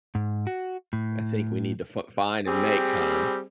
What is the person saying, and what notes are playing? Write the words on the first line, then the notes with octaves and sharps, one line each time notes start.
I think we need to fi find and make time.
G#2
F#4
A2
G3 C4 G#4